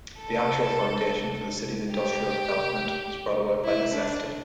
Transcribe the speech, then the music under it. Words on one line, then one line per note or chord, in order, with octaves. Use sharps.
The actual foundation for the city's industrial development was brought about by necessity.
A4
G4
E4
D4